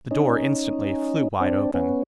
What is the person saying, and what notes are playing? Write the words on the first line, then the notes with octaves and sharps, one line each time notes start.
The door instantly flew wide open.
C#4 D#4
C4 D4
B3 C#4